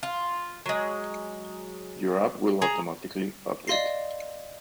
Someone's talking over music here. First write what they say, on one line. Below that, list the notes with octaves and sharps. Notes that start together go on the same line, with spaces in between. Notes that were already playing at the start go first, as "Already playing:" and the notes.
Your app will automatically update.
F4
F#3 G#3
G#4 A#5
D5 D#5 F5 C6 A#6 C7